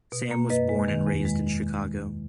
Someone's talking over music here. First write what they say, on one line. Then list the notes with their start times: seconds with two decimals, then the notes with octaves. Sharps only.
Sam was born and raised in Chicago.
0.12 B2
0.31 A#3
0.50 F#2 B4 D#5
0.69 G#3
0.88 D#3
1.07 E2
1.25 G#3